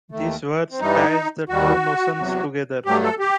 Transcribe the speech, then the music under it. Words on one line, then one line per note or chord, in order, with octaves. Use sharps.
This verse ties the two notions together.
D#2 D#3 A3
C4
G2 E3 G3 D#4
D#2 D#3 G3 F#4
E2 C3 F#3
G2 F#3 A3 G4
A4
G4